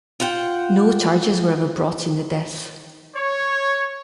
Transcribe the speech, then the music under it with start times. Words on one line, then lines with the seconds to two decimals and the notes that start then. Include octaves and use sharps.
No charges were ever brought in the deaths.
0.20 F4 C5 F#5 G5
3.15 C#5